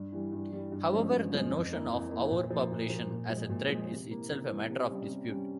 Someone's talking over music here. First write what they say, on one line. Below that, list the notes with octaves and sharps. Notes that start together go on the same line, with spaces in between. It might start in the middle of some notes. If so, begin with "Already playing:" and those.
However, the notion of overpopulation as a threat is itself a matter of dispute.
Already playing: G2
E3 G3
G2
E3 G3
G2
F3 G#3 C#4
G2
F3 G#3 C#4
F2
E3 A#3 E4
F2
E3 A#3 E4
A#2
F3 A#3
A#2
F3 A#3
A#2
F3 G#3
A#2
F3 G#3
C3
E3 A#3
C3
E3 A#3
C3
G3 C#4
C3
G3 C#4